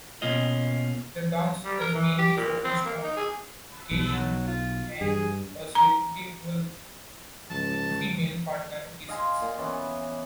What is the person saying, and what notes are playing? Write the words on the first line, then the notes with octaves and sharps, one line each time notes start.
The dance is mainly focused on Gaye and a suitable female partner he seeks.
B2 A#3 C#4 F4 D#5
G3
A#4
E3
G4
A#2
C4
A#3
D#4
G#4
B1
F#3
F4
G2 G#4
A#5
C#2 G#2 F3 A5
D3 G#3
D#5 F5 G#5 C6
A#2
E3 B3 C#4